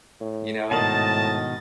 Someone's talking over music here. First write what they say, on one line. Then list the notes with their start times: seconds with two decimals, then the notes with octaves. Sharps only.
You know,
0.21 A2
0.71 G#2 B2 D#3 D#5 A5 A6